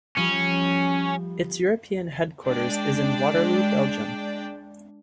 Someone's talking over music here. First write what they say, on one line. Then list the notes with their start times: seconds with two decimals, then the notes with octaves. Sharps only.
Its European headquarters is in Waterloo, Belgium.
0.17 F3 G3 C#4
2.45 G#3 D4 D5 G5